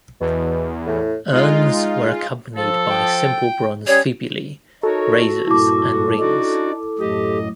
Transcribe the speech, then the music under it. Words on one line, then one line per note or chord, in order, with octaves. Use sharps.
Urns were accompanied by simple bronze fibulae, razors and rings.
E2 B2
A2
G#3 D#4 F4
F3 A4
G5
G3 C#4 G#4 C#5
D#4 F#4 A4 A#4 C#5
G2 A#2 E4 D6
D4 D#4 F#4 D5
F#2 A2 G4 D#5